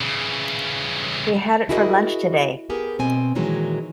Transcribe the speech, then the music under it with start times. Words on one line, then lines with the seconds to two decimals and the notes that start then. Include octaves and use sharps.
We had it for lunch today.
0.01 C#3 E3
1.69 E4 F#4 G#4 A#4 C5 D#5
2.70 B3 G4 G#4 A#4
2.99 B2 C4 G#5
3.35 A#2 D#3 E3 F#3 G#3